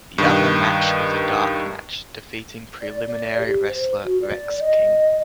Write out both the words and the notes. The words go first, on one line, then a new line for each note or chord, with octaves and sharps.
The other match was a dark match, defeating preliminary wrestler, Rex King.
G2 D#3
D5
D5
G4
C5
F#4
D5
D#5